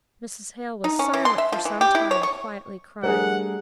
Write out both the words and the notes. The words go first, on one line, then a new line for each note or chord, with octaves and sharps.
Mrs. Hale was silent for some time, quietly crying.
D#4
C#4
E3
C6
E5
F3
E3
G4
E4
C#5
C#6
G3 A3 D4 G#4 A#4 F#5